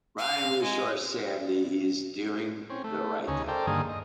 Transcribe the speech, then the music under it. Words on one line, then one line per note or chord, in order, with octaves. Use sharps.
Ryan reassures Sandy he is doing the right thing.
F5
G#3
C4 C#4
A3
D2 C#3 C#4 D#4 G#4
A4 A#4 C5 D5 G5
G2 D3 D#3 A#3 G#4 D#6
D#5